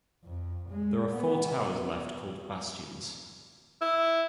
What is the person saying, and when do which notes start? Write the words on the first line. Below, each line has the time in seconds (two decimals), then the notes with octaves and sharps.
There are four towers left called bastions.
0.24 F2
0.70 G#3
1.13 B3
3.82 E4